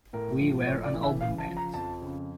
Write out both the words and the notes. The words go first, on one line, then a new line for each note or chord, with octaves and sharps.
We were an album band.
A2 A#4
F3
A2 C#5
D5
E3
E5
C#3 F5
A5
F3
A#5
F2 A5
C#3